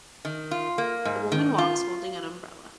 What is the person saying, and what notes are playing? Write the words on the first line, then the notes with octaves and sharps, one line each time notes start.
A woman walks holding an umbrella.
D#3
F4
A#3
G#2
D#3
F4